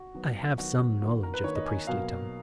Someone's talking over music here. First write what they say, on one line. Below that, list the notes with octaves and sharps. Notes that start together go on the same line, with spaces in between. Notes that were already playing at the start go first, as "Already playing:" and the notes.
"I have some knowledge of the priestly tongue."
Already playing: F#4
D#3 F#3 B3
D#3 F#3 B3 F#4
D#3 A#3 F#4
A#4
B4
D#3 A#3 C#5
D#5
G#5
B2 F#3 A#3 F5